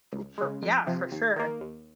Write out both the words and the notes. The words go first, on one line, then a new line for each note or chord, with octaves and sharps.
Ooh, for yeah, for sure.
C#2
C#3 G#3
F2
C3 F3
D#2
D#3 A#3
D#2